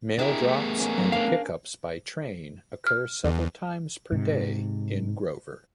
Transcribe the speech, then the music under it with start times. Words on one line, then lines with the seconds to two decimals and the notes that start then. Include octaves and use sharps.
Mail drops and pickups by train occurred several times per day in Grover.
0.19 D4 E4 G4 G#4 A#4
0.41 A3 B3
0.79 A#3 C#4
0.98 F#3
1.12 C#4 D4 A#4 F5
2.87 F6
3.24 E2
4.12 G#2 C3